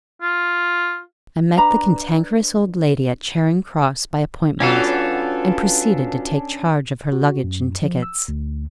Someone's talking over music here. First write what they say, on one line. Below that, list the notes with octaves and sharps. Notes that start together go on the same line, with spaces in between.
I met the Cantankerous Old Lady at Charing Cross, by appointment, and proceeded to take charge of her luggage and tickets.
F4
D4 B4 A#5 B5
F#3 B3 C#4 D4 F4 A4
F#4
F#2
F3
E6
D2